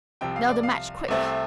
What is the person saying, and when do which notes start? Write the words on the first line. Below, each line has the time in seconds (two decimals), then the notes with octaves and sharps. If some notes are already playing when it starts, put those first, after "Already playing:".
Now the match, quick!
0.21 C2 C3 F3 C4 G5
0.36 F5
0.49 D5
0.63 F5
1.08 C2 C3 A3 C4